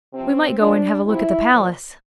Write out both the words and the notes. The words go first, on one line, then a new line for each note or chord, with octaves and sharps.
'We might go and have a look at the Palace.'
C3 F3 C4
A#2 F3 D4
C3 F3 E4
A#2 F3